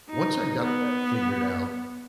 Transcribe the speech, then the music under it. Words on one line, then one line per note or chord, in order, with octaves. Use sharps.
once I got that figured out
D#4
B3